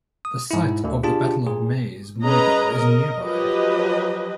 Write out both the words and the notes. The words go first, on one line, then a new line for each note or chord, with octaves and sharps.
The site of the Battle of Maes Moydog is nearby.
D#6
G#2 E4
D2 D3
D4 F4 G4 G#4 A5
A#2 G#4
C#4 G#4 B4 D#5 A#5
A#4 D#5
F3 F#3 G4 B4 D#5